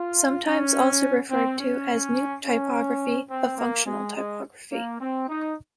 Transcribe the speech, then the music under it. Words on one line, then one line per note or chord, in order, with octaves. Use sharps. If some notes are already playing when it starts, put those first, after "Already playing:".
Sometimes also referred to as "New Typography" of "Functional Typography".
Already playing: F4
C#4
C4
C#4
C#4
C4
A#3
G#3
G#3
A#3
C4
D#4